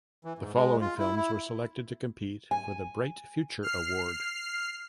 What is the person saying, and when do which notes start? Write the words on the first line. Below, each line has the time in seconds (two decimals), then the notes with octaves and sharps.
The following films were selected to compete for the Bright Future Award.
0.25 E3
0.39 G#2
0.55 G#3
0.81 F4
0.99 E4
1.16 E4
2.51 G#5
3.62 F6 C7